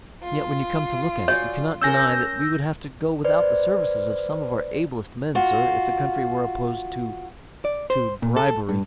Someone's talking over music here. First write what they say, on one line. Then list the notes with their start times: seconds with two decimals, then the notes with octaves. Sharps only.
And yet when you come to look at it you cannot deny that we would have to go without the services of some of our ablest men, sir, if the country were opposed to--to--bribery.
0.22 F4
1.28 F#4 G#4 C#5 D5
1.82 C#4 G#4 A#4 E6 G6 A#6
3.24 B4 C5 D5
5.35 F4 F#4
7.65 D5
7.90 C5
8.22 A#2
8.36 A4
8.69 G2